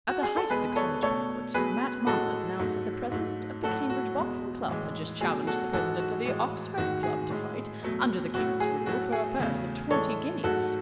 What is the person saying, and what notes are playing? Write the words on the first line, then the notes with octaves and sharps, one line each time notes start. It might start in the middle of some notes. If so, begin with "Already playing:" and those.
At the height of the college banquet Mat Monmouth announced that the president of the Cambridge Boxing Club had just challenged the president of the Oxford Club to fight, under the King's rule, for a purse of twenty guineas.
F#4
G#4
A4
E2 B2 G#3 G#4 B4
A4 C#5
B2 A3 A4 C#5
B2 F#3 A3 G#4 B4
A2 G#3 F#4 A4
G#2 F#3 A3
G#2 F#3 A3
A2 F#3 A3 F#4 A4
F#4
E2 B2 G#3
A2 E3 G#3
B2 F#3 A3 G#4
F#4 A4
G#2 E3 G#3 F#4 A4
F#4
A2 E3 G#3
G#2 D#3 A3 F#4
G#4
A2 G#3
E2 B2 F#3 A3
A2 F#3 A3 F#4
G#4
A2 F#3 A3 F#4
G#4
E2 C#3 F#3 A3
A2 E3 G#3 A4 C#5
G#2 F#3 A3 F#4 A4